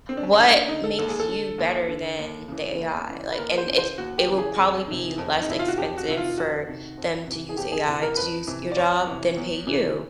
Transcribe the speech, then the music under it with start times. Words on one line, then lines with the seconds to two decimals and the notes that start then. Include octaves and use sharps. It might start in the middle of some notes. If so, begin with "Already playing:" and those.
what makes you better than the AI? Like, and it's it will probably be less expensive for them to use AI to do s your job than pay you.
0.09 D3 C4
0.17 D4
0.23 C#4
0.39 D#2 D4
0.53 D4
0.68 D3 D#4
0.84 A4
0.99 D#2 A4
1.09 G#4
1.20 A4
1.28 D3
1.58 D#2
1.88 D3
2.19 D#2
2.48 C#3 E3
2.78 D#2
3.08 C#3 E3
3.32 B4
3.38 D#2 A#4
3.58 C5
3.68 C#3 E3
3.78 C5
3.98 D#2 F#4
4.18 G4
4.28 C#3 E3
4.38 G#4
4.58 F2
4.88 C3 D#3
5.18 F2
5.41 D#4
5.48 C3 D#3 E4
5.59 F4
5.68 F#4
5.77 F2 G4
5.98 F#4
6.08 C3 D#3 E4
6.17 F4
6.37 F2 F#4
6.68 C3 D#3
6.97 F2
7.27 C3 E3
7.49 G#4
7.57 F2 G4
7.72 G#4
7.87 C3 E3
8.02 A#4
8.17 F2 B4
8.47 C3 E3
8.72 D5
8.77 F2 C#5
9.07 C3 E3
9.37 E2
9.67 C3 E3